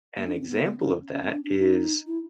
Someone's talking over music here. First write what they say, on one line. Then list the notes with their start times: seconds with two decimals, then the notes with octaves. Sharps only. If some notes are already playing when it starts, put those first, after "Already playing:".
an example of that is,
0.16 A#3
0.26 D4
0.34 C#4
0.40 C4
0.48 B3
0.65 B3
0.79 C#4
1.12 C#4
1.22 C4
1.32 D4
1.44 D4
1.59 D#4
2.06 E4